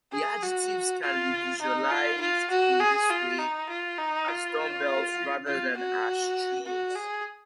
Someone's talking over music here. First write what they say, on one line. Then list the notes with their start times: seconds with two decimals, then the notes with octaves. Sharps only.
The adjectives can be visualized in this way as "dumbbells" rather than as "trees".
0.13 G#4
0.43 F#4
1.02 F4
1.61 D#4
1.91 F4
2.21 F4
2.51 F#4
2.80 G#4
3.10 F4
3.39 D#4
3.69 F4
3.98 D#4
4.28 F4
5.47 F4
5.77 F#4
6.66 F#4
6.95 G#4